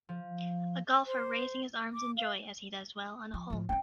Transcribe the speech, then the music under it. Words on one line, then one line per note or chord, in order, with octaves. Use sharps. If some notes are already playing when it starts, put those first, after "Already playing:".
A golfer raising his arms in joy as he does well on a hole.
F3
C5
D6
F5
F3
A2 F3
B3 C#4 G5